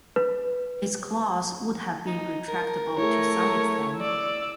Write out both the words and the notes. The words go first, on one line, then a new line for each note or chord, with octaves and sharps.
Its claws would have been retractable to some extent.
B4
D#4
A#4
A3 E4 G#4 C#5
D5 E6